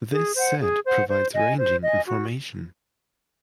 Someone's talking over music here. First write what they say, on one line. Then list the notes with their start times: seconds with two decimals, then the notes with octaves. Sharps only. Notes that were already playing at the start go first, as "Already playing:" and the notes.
This set provides ranging information.
0.13 G#4
0.36 C5 F#5
0.61 G#4
0.85 C5 F#5
1.09 C5
1.34 D#5 G#5
1.58 C5
1.81 D#5 G#5
2.07 F#4